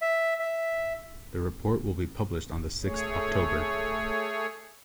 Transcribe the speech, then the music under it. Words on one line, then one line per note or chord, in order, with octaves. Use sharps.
The report will be published on the sixth October.
E5
E5
A3 G#4 C#5